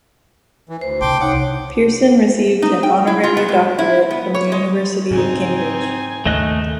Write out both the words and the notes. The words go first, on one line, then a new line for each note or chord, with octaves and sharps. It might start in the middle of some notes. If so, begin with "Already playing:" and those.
Pierson received an honorary doctorate from the University of Cambridge.
E3
D2 C5
C2 C#3 G5 A5 C6 D6
D#4 C#5 F#5 G5 D6
D#4
G5
E4
F4
B3
A2
E4
B3
C#5
G#3
G#2 C#3 C4 D#4 G#5
D#2 G#2 C#3 A3 D#5 F#6